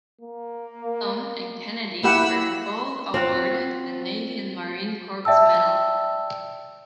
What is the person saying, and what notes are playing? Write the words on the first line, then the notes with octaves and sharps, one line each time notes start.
Thom and Kennedy were both awarded the Navy and Marine Corps Medal.
A#3
A#3 E4 G4 F#5 B5 E6
C4 F4 F#5
D5 E5 G5 A5 E6